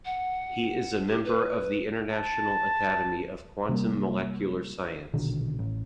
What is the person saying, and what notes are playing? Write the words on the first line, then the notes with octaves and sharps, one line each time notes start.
He is a member of the International Academy of Quantum Molecular Science.
F#5
G4
B4
A5
C3 G3 G#3 A#3
A#1 B2 D3 D#3
A1